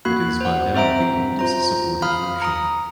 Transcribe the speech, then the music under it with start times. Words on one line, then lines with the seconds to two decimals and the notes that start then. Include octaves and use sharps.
It is by now the oldest supported version.
0.05 A#3 F#4 B5 F#6
0.41 C5 F#5
0.74 C4 C5 E5 A#5 D7
1.39 F4 C5 A#5
2.02 F5 B5 D#6 F6
2.42 A#5 D#6